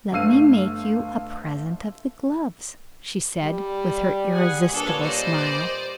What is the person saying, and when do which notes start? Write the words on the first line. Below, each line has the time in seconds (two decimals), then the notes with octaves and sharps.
"Let me make you a present of the gloves," she said, with her irresistible smile.
0.12 G1 A3 F5 E6 C7 D#7
3.43 G3
4.32 G#4 F#5 G#5
4.74 A#2 D4 A4 B4 C#5
5.02 G3 C5 D5 D#5